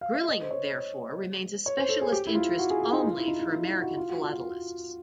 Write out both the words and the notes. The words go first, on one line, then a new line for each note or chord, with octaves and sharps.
"Grilling" therefore remains a specialist interest only for American philatalists.
F5
E5
D#5
C5
C#5
C#5
C5
A4
G#4
G4
E4
F4
F#4
G#4
G#4
D#4
F4
E4
D#4
E4
E4
F#4
F4
F#4
F4
F#4